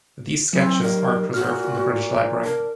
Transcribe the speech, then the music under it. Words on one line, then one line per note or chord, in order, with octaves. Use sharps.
These sketches are preserved in the British Library.
E3 F#3 C4
D#3 G3 A#4
A#2 F#4 F6
D4 A#4